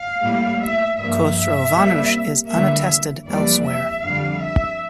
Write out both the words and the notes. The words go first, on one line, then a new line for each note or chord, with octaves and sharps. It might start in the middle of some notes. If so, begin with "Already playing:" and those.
Khosrovanush is unattested elsewhere.
Already playing: F5
A2 G3 A#3
E5
G2 F3 A#3 E5
E5
C3 G3 A#3
E2 D3 G3 A#3 E5
F2 E3 G3 A#3 D5
E5
F2 D3 G3 F5
E5